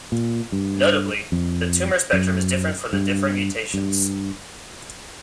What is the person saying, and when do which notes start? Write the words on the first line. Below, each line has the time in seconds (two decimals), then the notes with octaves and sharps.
Notably, the tumor spectrum is different for the different mutations.
0.12 A#2
0.52 G2
1.32 F2
2.13 F#2
2.93 G2
3.74 G2